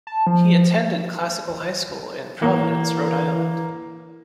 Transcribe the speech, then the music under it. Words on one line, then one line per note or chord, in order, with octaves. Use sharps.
He attended Classical High School in Providence, Rhode Island.
A5
F3
E3 A#3